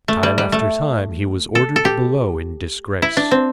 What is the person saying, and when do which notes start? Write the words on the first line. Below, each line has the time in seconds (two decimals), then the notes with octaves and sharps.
Time after time he was ordered below in disgrace.
0.08 A3
0.23 G3
0.38 G3
0.52 A3
1.55 A4
1.76 A4
1.85 G4
3.02 E4
3.17 D4
3.31 C4